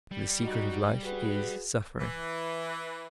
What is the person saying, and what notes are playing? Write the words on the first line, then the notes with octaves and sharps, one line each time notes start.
For the secret of life is suffering.
G3
D#4 F#4
F#4 G#4 B4
E3